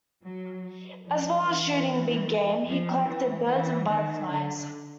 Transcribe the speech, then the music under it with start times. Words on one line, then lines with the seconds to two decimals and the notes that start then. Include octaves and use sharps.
As well as shooting big game, he collected birds and butterflies.
0.24 F#3
1.05 F3
1.45 E3
2.67 F3
3.07 E3
3.48 E3
3.88 D#3
4.29 D3